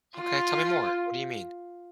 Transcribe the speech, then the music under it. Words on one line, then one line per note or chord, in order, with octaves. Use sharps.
Okay, tell me more, what do you mean?
F4